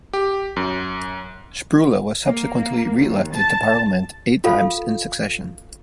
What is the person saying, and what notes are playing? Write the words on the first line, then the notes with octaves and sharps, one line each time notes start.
Sproule was subsequently re-elected to Parliament eight times in succession.
G4
F#2
A#3
D#2
A5
F4 A4 F5 B5